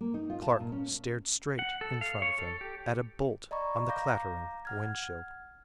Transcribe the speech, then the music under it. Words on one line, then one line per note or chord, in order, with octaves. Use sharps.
Clark stared straight in front of him at a bolt on the clattering wind-shield.
A#3
D#4
F4
A5
A#2
C#4
F#5
A4
F5
C#5
A4
G4
D5 D#5 A#5 B5 C#6
F5 A#5 D6 G6 A#6
F#5 F6 G#6